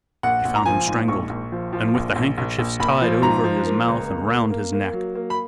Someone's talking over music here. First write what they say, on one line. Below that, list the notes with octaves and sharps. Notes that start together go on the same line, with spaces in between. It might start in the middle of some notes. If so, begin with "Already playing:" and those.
She found him strangled, and with the handkerchiefs tied over his mouth and round his neck.
A#1 F#5
A#1
A#5
F3 G#5
G#2
A#1 C#6
A#1
F3
F3
A#1
A#1
A#1
A#1
A#1 B5
F3
G#2 A#5
F3
A#3
C#2
A#3
A#3
A#3
A#3
F#3
A#3
B5